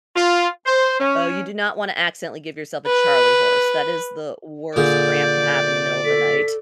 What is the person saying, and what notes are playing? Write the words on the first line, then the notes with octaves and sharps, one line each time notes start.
Oh, you do not wanna accidentally give yourself a charley horse. That is the worst cramp to have in the middle of the night.
F4
C5
C#4
B4
A#2 D3 G#4 D5 G6
A4 B6